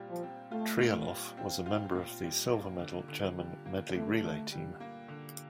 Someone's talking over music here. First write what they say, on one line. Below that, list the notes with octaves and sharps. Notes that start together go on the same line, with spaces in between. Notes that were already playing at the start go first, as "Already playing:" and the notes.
Trieloff was a member of the silver medal German medley relay team.
Already playing: A#2 G3 C4 F4
F3
C4
A3 F4
A#2
G3
C4
F4
A#2
G3
A#3
D3
D3
G3
A#3
D3 A3
D3
G3
A#3
D3